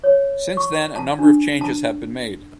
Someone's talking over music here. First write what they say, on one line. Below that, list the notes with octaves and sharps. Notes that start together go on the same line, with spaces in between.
Since then, a number of changes have been made.
C#5
C#6
A5
D4
A5